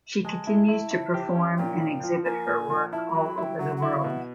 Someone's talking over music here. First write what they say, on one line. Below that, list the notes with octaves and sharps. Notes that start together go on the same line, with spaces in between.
She continues to perform and exhibit her work all over the world.
G#3 A5
E4
E4
E4
G4
C#4
A#2 G5
F3
F3
A#3 G#5
A#2
F3
E4 A5
A#5
F#3
B5
E4
G5
F#3 F#5
F#5
E4
F5
B2
F#5